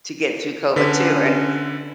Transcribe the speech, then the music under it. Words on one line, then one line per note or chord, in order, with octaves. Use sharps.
to get through COVID, too, and
D3 C#4 B4 B6